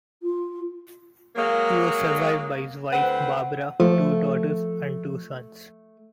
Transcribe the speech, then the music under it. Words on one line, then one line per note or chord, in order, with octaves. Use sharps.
He was survived by his wife Barbara, two daughters, and two sons.
F4
F#3 G#3 A#3
D2 C4 B4 C5 F#5
F3 A3